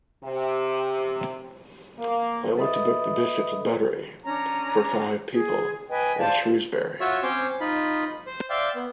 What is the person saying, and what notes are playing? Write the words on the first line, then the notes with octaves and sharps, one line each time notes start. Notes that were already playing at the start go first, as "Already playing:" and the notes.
I want to book The Bishops Buttery for five people in Shrewsbury.
C3
A#3
A4 B4 D#5 E5 B5 D#6
C#4 D4 A#5
G#4
B4 D#5 G5 G#5
C5 D5 F5 A5
F4 F#4 C#5 E5
C4 C#4 C#5 G5 C6 D6
D#4 F4 B5
C5
D5 E5 F5 G5 C6
B3